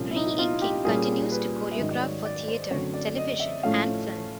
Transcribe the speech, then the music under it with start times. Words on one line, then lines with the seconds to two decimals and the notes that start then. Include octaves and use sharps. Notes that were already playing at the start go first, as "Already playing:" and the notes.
Reinking continues to choreograph for theatre, television, and film.
Already playing: C2 A#2 F3 A#3 C#4
0.11 E4
0.16 D#4
0.38 F4
0.62 G4
0.85 A#2 G3 A#3 C#4 G#4
1.32 B4
1.71 E5
1.77 G#2 D#3 F#3 D#5
1.91 D5
2.02 C#5
2.25 D5
2.48 C5
2.71 F#2 D3 F#3 A3 C4 C#5
2.94 D5
3.17 D#5
3.40 E5
3.63 A2 F3 A3 C#4 F5